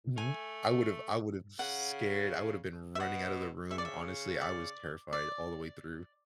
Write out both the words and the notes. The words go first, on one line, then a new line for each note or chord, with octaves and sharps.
Mhm, I would've I would've scared I would've been running out of the room. Honestly, I was terrified all the way through.
A3 G#5
C#3 F#5
E5
B2 F#5
C#3 E5
D5
E5
D5
D5